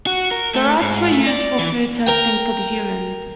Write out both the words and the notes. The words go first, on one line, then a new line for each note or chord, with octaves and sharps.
The rats were used for food testing for the Humans.
F#4
A#4
A3
G#2
A3
D5
E3
A#4 G5